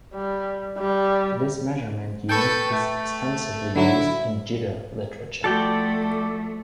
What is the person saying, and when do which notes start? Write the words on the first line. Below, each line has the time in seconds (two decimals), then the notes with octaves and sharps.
This measurement unit is extensively used in jitter literature.
0.14 G3
0.78 G3
2.29 A4 B4 G5 C#6
2.71 A3
3.76 D3 F#3 E4 E5
5.44 F3 A3 F#4 A4 D5 G5